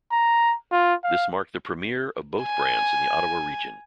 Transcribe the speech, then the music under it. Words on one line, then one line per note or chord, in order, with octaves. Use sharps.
This marked the premiere of both brands in the Ottawa region.
A#5
F4
F5
G#5